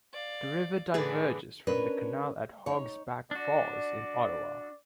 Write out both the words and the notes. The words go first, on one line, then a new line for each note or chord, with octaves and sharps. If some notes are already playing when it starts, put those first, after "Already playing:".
The river diverges from the Canal at Hog's Back Falls in Ottawa.
D5 F5
A2 D3 E3 G#4 B4 D5
C#4 D4 A#4 B4
D#4 C#5
D4 F#4 D5